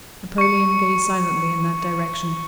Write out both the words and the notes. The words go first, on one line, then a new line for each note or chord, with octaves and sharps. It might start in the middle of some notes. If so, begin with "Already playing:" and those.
Napoleon gazed silently in that direction.
C#6 C#7